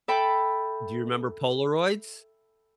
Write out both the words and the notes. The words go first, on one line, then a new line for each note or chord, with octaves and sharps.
Do you remember Polaroids?
A4 E5 G5 A5 B5